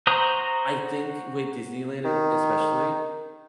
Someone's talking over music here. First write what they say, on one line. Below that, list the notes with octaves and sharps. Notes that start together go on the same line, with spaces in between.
I think with Disneyland, it especially,
F#4 C5 A#5 D#6
D#3